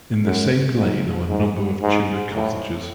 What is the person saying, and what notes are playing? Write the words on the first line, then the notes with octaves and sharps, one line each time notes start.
In the same lane are a number of Tudor cottages.
F#2
G#2
G#2
G#2
A2